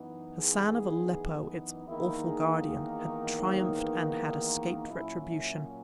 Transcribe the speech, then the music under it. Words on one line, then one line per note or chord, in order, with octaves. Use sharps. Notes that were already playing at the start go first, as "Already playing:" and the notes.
Hassan of Aleppo, its awful guardian, had triumphed and had escaped retribution.
Already playing: F#2 E3 B3 D#4
G#4
E2 D#3 A#3 D#4 E4
G#4
G#4
A#4
C#5
B4
A#2 F#3 C#4 E4
E4